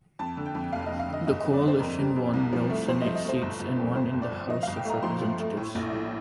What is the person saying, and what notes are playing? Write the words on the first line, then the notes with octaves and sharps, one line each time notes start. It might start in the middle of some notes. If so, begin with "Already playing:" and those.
The coalition won no Senate seats and one in the House of Representatives.
F2 A5
D3
G5
F2
F1 F5
F2 D#5
F5
D3 D#5
G1 D#5
F2 D#5
D5
D3
C5
F2 A#4
G3
F2
C2
F3
A3
F3 C5
F3 D#5
D#5
A3 C5
G1
G1
F2
F2 C5
G1
D5
G1
F3 D#5
G1 F5
G5
A3 A#5
F3 C6
F3
A3
A2
A#1
A2